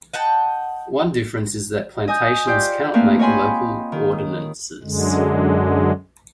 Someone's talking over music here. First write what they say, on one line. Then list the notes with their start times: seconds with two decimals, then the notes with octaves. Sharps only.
One difference is that plantations cannot make local ordinances.
0.13 D#5 F#5 G5 A5
2.08 D#5 G#5 D#6 G6
2.47 F4 G4 C5 D5 G5
2.94 A3 A#3 C4 G#4 B4 F5
3.19 C#5 D#5 G5 G#5 B5 C6
3.92 D#3
4.83 F#2 D3 G#3